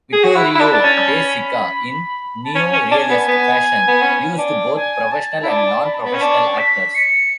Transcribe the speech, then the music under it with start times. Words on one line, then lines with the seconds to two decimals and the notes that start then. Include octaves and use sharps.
Vittorio De Sica, in neo-realist fashion, used both professional and non-professional actors.
0.13 G#4
0.24 F#4
0.35 E4 F#6
0.55 E4
0.60 D4
0.72 D4 A6
0.84 C#4
0.98 A5
1.08 B5
2.44 A5
2.55 C#4 G#5
2.73 C#4
2.91 D4 G#5
3.10 B3
3.28 B3
3.88 B3
4.02 C#4
4.38 D4
4.75 G#5
5.12 A5
5.43 E4
5.48 D4 A5
5.57 G#5
5.65 A5
5.85 B5
5.94 A5
6.04 B3 B5
6.14 C#4
6.21 D4 C#6
6.58 B6
6.95 C#7